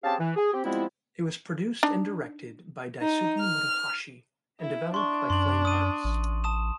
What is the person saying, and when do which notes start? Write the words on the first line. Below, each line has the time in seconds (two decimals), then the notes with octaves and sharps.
It was produced and directed by Daisuke Motohashi and developed by Flame Hearts.
0.04 C4 C#4 G4 G#4 F5 A5
0.20 E3
0.36 G#4
0.53 C4 G4
0.64 F3 G3 G#3 B3 C4 E4
1.83 D4 D#4
3.01 D#4
3.39 F6
4.60 E4
4.94 D4 C6 C#6
5.30 F#2 C6 F#7
5.65 D#6 D#7
6.04 A1
6.44 A5 D#6 E7